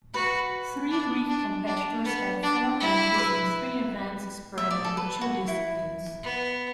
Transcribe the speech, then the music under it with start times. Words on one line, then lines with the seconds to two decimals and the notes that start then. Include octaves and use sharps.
Three Greek competitors had four entries in three events spread over two disciplines.
0.14 F#4 B4
0.91 D4
1.29 D4
1.66 D4
2.05 B3
2.43 D4
2.80 E4
3.14 D5
3.18 B4 E5
4.58 E5
4.71 D5
4.85 A4
4.97 B4
5.21 F#4
5.48 E4
6.23 B3